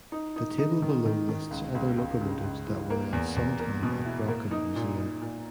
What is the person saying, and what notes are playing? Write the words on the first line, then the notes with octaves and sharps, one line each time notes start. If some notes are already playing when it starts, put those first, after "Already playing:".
The table below lists other locomotives that were at some time at Brockham Museum.
D#4
D#4
D#4
D#3
D#3
D#3
C#2
C#2
C#2
C#3
C#2
E3
A#3
E2
E2
A#3
B2
E4
A#3
D#4
A#2
D#4
A#2